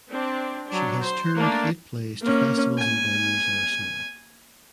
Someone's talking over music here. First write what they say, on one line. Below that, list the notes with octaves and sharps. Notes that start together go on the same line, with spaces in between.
She has toured eight plays to festivals and venues nationally.
C4 D4
F#3 D4
C5
A3 A#3 D4
A#3 C#4
G#5